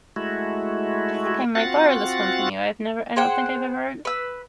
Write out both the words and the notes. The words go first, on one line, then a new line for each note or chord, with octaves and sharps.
I think I might borrow this one from you. I've never I don't think I've ever heard
G#3 A3 E4 F#4
C4 F4 F#4 F#5 A6
G#4 C5 F#5 G5
B4 E6